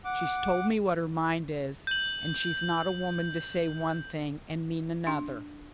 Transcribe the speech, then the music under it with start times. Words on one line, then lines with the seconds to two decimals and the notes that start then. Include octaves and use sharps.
She's told me what her mind is, and she's not a woman to say one thing and mean another.
0.05 F#5 D6
1.87 G6 F#7
5.07 D4